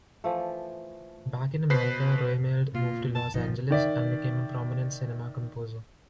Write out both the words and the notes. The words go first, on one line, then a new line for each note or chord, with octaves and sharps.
Back in America, Roemheld moved to Los Angeles and became a prominent cinema composer.
E3 F3 A3
B2 B4 C5 B6 C7
A#2 F4
A5
G1 F3 D#4
D#3 D5 E5